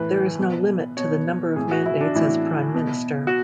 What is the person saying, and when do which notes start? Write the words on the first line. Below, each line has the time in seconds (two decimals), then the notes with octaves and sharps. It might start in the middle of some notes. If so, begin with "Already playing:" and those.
There is no limit to the number of mandates as Prime Minister.
Already playing: A2 E3 B4
0.38 B2
0.97 B2 C#5
1.56 A2 E3 G#4
1.71 F#4
1.86 E4
2.01 D4
2.15 A2 E3 E4
2.74 B2
3.27 F#4